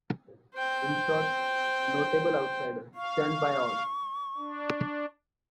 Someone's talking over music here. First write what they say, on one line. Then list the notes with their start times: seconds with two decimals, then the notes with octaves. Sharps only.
In short, a notable outsider, shunned by all.
0.55 C5 G5
2.95 F5 C#6
4.38 D4